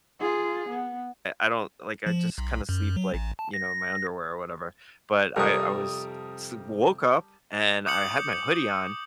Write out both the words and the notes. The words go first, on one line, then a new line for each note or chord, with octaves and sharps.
I don't like I just kind of sleep like, you know, in my underwear or whatever but I I was s woke up and I had my hoodie on
F4 G#4
B3
F3
B1
F#2
F#3
A1
A5
A#6
F2 C3 G3 A#4 A5 C#6 D#6
D6 D#6 G6 C#7 F#7